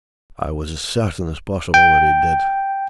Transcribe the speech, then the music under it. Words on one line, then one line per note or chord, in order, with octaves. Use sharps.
I was as certain as possible that he did.
G5